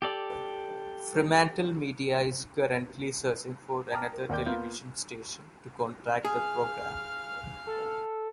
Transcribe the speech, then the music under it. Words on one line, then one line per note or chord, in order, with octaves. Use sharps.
FremantleMedia is currently searching for another television station to contract the programme.
G4 A4 D5
G5 A5 A#5 D6 D#6 F6
A#4
D#2 A#4 D5 G5 D6 G6
A#3 B3 F4 F5 G6
G#4 F5 F6
A4